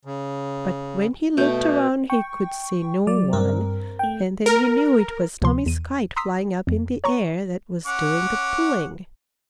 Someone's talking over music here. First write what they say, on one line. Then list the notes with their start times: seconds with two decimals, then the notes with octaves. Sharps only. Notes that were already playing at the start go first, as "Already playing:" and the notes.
But when he looked around he could see no one, and then he knew it was Tommie's kite, flying up in the air, that was doing the pulling.
0.05 C#3
1.37 B2 A3 G5
2.10 G5 C#6
3.07 F#3 D5
3.33 G2 C4 A#4
3.99 A3 G5
4.46 A#4
5.42 D2 C3 F3 C6
5.66 E2 D#7
6.16 A#5 C6 D#6 E6 B6 C7
6.67 F2
7.04 C#5 A#5 C#6
7.86 C#4 F#5 D6